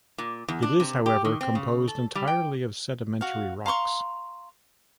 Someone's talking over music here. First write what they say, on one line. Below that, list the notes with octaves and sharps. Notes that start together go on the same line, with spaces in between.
It is however composed entirely of sedimentary rocks.
A#2
E2
D4
C3
G4
D#3
C4
C#3
A4
G3
G5
F#4 F5
F5 A#5 C6 C#6